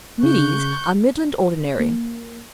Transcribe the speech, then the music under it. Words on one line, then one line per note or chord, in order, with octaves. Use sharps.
Middies are Midland Ordinary.
C#3 C#6 F#6 G6
A#3